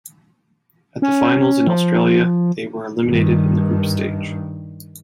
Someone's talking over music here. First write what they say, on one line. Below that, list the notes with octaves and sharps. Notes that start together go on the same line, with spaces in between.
At the finals in Australia, they were eliminated in the group stage.
C#4
F3
G2 D#3